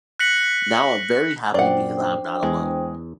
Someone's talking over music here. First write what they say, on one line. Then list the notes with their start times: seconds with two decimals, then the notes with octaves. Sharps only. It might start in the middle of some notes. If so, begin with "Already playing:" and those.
Now I’m very happy because I’m not alone.
0.19 F#6 A#6 B6 C#7 F#7
1.54 F#2 A#2 D4 C5 D5 F#5 G5
2.43 E2 G#3